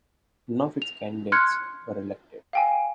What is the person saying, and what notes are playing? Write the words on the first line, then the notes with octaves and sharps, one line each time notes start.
None of its candidates were elected.
F7
C6 F6 F#6 G#6 C#7
F5 G5 G#5